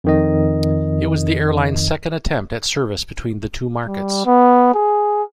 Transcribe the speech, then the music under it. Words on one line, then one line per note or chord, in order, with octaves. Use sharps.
It was the airline's second attempt at service between the two markets.
F2 D#3 D#5
G3
B3
G#4